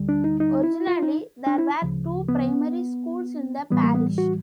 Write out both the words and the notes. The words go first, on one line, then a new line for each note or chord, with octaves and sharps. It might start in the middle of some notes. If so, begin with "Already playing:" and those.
Originally, there were two primary schools in the parish.
Already playing: D2 D3 G3
D4
D#4
D#4
E4
F4
D#4
D4
E4
D2 C#3 F3
B3
A2 E3 G3 B3
A#3
B3
F#4